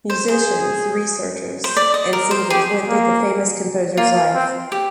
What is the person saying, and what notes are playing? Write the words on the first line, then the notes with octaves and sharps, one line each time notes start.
Musicians, researches and singers went through the famous composer’s life.
C5
G#4 C5
C5
D5
D#5
A#4
C5
G4 G#4
A#3
A#3 F4
C4
G4